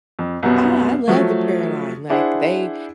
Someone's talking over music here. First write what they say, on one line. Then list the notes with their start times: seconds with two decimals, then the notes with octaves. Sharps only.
I I love the prayer line, like, they,
0.19 F2
0.43 C2 F#2 B2 B3
1.08 F3 F#3 A3
2.10 D4 E4 G#4 C5 F#5